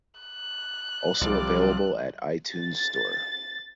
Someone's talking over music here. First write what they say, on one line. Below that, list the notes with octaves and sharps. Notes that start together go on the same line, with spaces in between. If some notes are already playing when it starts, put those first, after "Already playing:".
Also available at iTunes Store.
F#6
C2 C3 F3 G3 D5
A6